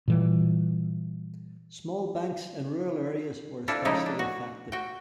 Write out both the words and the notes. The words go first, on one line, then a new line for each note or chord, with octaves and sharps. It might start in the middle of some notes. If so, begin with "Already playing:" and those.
Small banks in rural areas were especially affected.
A#2 E3 G3
C4 D4 E4 F4 A4
C#3 F3 G#3 A3 D#4 E4
D4
F#4
F#4 G5